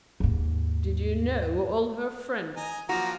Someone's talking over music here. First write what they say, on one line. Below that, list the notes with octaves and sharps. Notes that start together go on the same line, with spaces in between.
"Did you know all her friends?"
D#2 G#2
D#5 G#5 A#5
F3 F#3 A#3 F#4 A#5